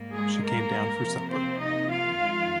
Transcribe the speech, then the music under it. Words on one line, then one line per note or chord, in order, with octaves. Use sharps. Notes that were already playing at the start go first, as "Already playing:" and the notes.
She came down for supper.
Already playing: G#2 G3 A#3
G#3 G#4
A#3 A#4
C3 F3 A#3
C4 C5
D#4 D#5
F4 F5
F2 D#3 G#3